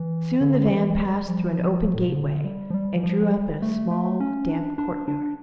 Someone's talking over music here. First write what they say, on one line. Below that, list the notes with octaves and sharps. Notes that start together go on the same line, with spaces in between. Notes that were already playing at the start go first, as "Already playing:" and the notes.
Soon the van passed through an open gateway, and drew up in a small, damp courtyard.
Already playing: E3
D3
E3
G3
F3
A2
A#2
C#3
D3
G3
F3
G3
E3
F3
G3
A3
A3
C#4
D4
D4
D4